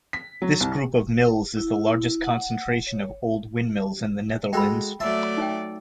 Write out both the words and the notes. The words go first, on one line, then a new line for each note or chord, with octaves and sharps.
This group of mills is the largest concentration of old windmills in the Netherlands.
B6
F#3
C2
E4
F#5
C#5
G#3 F#4 A4 G5 B5
F#3 A3 D5 E5 A5 C6
D#4 C#5 G5